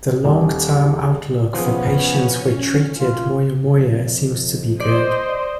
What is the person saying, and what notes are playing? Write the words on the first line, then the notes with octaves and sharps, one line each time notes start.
The long term outlook for patients with treated moyamoya seems to be good.
D#1
F3 B3 C#4 G#4
F4
F2
C5 D5 D#5